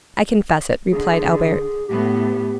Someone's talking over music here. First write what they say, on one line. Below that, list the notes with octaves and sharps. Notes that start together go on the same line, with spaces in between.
"I confess it," replied Albert.
D3 G#4
A2 B3 G4